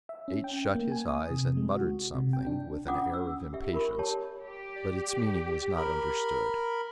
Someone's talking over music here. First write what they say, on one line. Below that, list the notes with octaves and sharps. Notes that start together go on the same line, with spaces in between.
H-- shut his eyes and muttered something, with an air of impatience; but its meaning was not understood.
E5
C#4
G5
A#3
G#5
D#6
C3
G#3
F#4
C3
G5
D4
C#4 F4 F5 F#5 D6 D#6
E6
G4 E5
F4 A#4 B5 C#6
G4 C#5 A5
G4
D5
A#4 B5